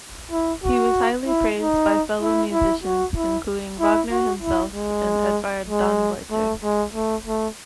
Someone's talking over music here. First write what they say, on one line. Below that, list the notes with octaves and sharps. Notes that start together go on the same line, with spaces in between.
He was highly praised by fellow musicians, including Wagner himself and Edward Dannreuther.
E4
F#4
E4
D#4
E4
E4
F#4
E4
E4
F#4
E4
G#3
G#3
A3
G#3
A3
A3